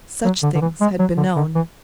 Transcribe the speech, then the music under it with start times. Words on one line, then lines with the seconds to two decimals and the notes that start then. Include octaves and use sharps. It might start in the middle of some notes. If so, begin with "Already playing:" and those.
Such things had been known.
0.25 F#3
0.43 D3
0.55 D3
0.61 E3
0.81 G#3
0.99 F#3
1.17 D3
1.36 D3
1.55 E3